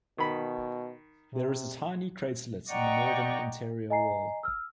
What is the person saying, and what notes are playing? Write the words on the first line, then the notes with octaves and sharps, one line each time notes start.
There is a tiny craterlet in the northern interior wall.
B2 D#3 B5
C3
D5 D#5 F#5 G5 A#5 C#6
D#5 G#5 A#5 C7
E6 F6